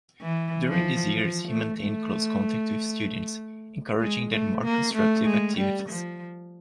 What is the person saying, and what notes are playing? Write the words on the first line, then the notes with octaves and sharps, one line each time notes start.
During these years he maintained close contact with students, encouraging their more constructive activities.
E3
F3
F3
A3
A3
G#3
A3
A#3
A3
G#3
G3
F3